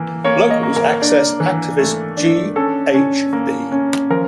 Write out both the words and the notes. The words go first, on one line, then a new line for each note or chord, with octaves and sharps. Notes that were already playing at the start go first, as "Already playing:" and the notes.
Local access activist G. H. B.
Already playing: E3 A#3
A#3 C#5
D#5
A#3
A#4
D4
E3
A3
D4
C#4 A4
C#4
A#3
C#4
F3 A#4